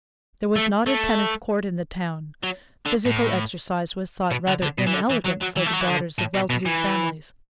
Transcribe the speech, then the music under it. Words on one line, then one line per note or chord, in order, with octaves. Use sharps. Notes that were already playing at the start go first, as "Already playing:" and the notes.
There was not a tennis court in the town; physical exercise was thought rather inelegant for the daughters of well-to-do families.
A3
A3
F#3
D3
A2
B2
D3
D3
B2
E3
D3
E3
F#3
F#3
E3
A3
F#3
E3
D3
A2
B2
B2
E3